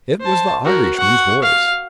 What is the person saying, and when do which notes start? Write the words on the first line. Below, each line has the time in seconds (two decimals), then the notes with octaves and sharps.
It was the Irishman's voice.
0.21 C5 A5
0.65 F#4 A#4
0.96 F#5 C#6
1.42 F5